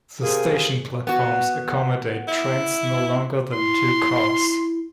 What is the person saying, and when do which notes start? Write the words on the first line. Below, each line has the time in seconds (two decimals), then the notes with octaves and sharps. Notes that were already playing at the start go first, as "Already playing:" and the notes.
The station platforms accommodate trains no longer than two cars.
0.23 C3 A#3 G#4
1.07 B3 F#4
2.28 E4
3.53 E4 C6